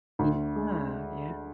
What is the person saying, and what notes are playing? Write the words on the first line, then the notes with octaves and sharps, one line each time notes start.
M yeah, yeah.
D2
G#3